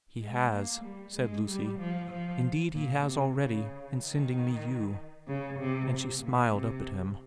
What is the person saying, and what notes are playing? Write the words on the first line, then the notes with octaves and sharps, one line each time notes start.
'He has,' said Lucy. 'Indeed He has already, in sending me you.' And she smiled up at him.
G#3
A#3
G3
G#3
G3
F3
F3
A#2
C3
C#3
D#3
C#3
C3
C3
A#2
C3